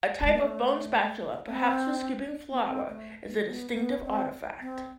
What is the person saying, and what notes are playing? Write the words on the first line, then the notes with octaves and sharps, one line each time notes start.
A type of bone spatula, perhaps for scooping flour, is a distinctive artifact.
G#3
B3
A3
C4
B3
C4
A3
B3
B3
C4
C4